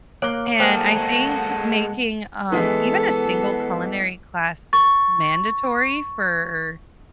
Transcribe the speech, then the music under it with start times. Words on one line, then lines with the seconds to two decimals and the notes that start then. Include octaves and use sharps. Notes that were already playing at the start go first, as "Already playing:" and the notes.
And I think making, um, even a single culinary class mandatory for
0.22 A#3 C#5 D6
0.60 G3 A#3 G#4 A4 C5 F#5 G5 F#6
0.96 G#3 F#4
2.52 E3 G#3 B3 E4 A4
4.73 C#6 A6